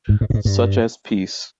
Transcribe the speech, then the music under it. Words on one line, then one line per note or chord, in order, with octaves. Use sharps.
Such as peace.
G#2
G#2
A#2
G#2
G2